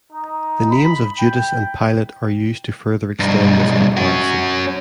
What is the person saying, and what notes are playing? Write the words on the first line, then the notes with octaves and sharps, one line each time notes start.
The names of Judas and Pilate are used to further extend this comparison.
D#4
B5
G5
B1 G2
C#4 F#4